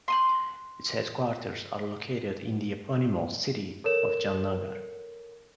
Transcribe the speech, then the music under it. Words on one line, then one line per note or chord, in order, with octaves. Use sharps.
Its headquarters are located in the eponymous city of Jamnagar.
C6 D#6 F#6
A4 A#4 C#5 E7